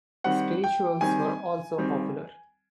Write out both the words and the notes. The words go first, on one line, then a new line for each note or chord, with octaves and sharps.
Spirituals were also popular.
D#3 G3 C4 F#5
G5
D#3 G3 C4 G#5
D#3 G3 C4